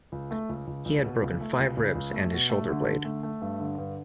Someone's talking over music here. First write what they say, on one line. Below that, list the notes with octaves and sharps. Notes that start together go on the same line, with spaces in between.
He had broken five ribs and his shoulder-blade.
C#2
A3
C#2
C#2
C#2
B2
C#2
A3
C#2
C#2
C#2
A3
B2
A3
D3
D3
A3
A3
G2
D3
G2